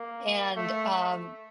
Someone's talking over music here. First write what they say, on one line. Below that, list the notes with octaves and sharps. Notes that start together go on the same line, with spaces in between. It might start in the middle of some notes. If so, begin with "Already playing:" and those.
And, um
Already playing: A#3
A3